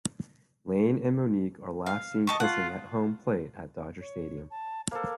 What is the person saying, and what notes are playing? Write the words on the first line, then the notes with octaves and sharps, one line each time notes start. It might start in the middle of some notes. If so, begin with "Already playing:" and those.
Lane and Monique are last seen kissing at home plate at Dodger Stadium.
F5
D#5 A5 C#6
F4 F#5
C#5
A5
A#3 A4 C5